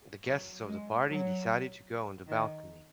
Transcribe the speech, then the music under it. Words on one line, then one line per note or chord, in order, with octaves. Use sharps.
The guests of the party decided to go on the balcony.
F#3
G#3
F#3
D#3